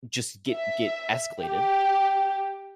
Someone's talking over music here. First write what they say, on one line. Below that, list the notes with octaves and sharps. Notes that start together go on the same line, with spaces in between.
just get get escalated,
E5
G4